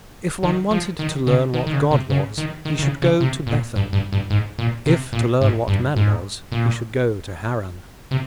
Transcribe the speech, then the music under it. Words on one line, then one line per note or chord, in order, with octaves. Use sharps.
If one wanted to learn what God was, he should go to Bethel; if to learn what man was, he should go to Haran.
D#3
F3
D#3
C#3
D#3
D#3
C#3
C3
C#3
D#3
D#3
D#3
C#3
C#3
C3
A#2
G2
G2
G2
G#2
A#2
C3
A#2
G#2
G2
G#2
A#2
C3